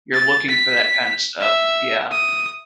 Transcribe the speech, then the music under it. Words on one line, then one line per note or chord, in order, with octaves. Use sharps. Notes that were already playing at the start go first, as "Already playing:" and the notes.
you're looking for that kinda stuff. Yeah.
A6
B6
E5
D#6